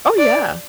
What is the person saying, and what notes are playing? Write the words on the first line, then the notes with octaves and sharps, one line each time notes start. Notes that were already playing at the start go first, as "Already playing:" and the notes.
Oh, yeah.
D5